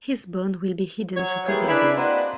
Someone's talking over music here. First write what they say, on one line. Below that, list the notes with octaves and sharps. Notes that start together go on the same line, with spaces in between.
His bones will be hidden to protect them.
F#3 C#5
G#3 A#3 B3 E4 G4 G#4
D4 E4 G#4 B4 D5
A#3 C4 D4 D#4 F#4 B4